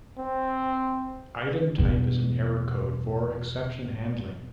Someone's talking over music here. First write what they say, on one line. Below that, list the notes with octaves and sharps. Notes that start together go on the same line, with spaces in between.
Item type is an error code for exception handling.
C4
E2 B2